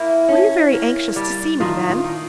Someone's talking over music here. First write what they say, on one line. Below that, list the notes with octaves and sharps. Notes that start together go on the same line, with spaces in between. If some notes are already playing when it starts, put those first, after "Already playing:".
"Were you very anxious to see me, then?"
Already playing: A#3 E4
C#4
A#3
G3
D#3 F4
F4
D#3